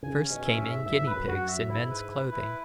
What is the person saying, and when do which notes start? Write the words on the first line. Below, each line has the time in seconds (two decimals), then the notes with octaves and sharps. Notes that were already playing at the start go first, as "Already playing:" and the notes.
First came in guinea pigs in men's clothing.
0.03 C#3 G#5
0.24 C#4
0.30 B2
0.45 E5
0.58 G#2
0.65 E5
0.86 F#2 E5
0.99 G#2
1.07 F#2 B4
1.27 F#2 F#4
1.48 E5
1.69 G#2 E4
1.91 B4
2.12 B4
2.32 E4